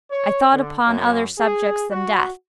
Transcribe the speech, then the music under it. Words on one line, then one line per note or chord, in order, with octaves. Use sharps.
I thought upon other subjects than Death.
C#5
D3
F#2
G#4
F#4